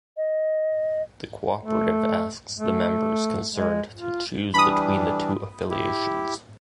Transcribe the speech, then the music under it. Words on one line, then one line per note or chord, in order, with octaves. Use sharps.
The cooperative asks the members concerned to choose between the two affiliations.
D#5
A3
A3
G#3
F4
E3 G3 D4 B5 D#6
E4 G4